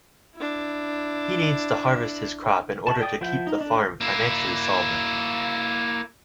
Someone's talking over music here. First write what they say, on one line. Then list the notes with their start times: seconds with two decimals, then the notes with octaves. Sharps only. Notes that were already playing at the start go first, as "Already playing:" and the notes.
He needs to harvest his crop in order to keep the farm financially solvent.
0.36 D4 E4
2.87 E4 F#4 A5
2.99 A4 D5 G5 D#6
3.21 F3 E4 C5 F#5 G6
3.47 D#4
3.61 D4
4.01 A#3 E4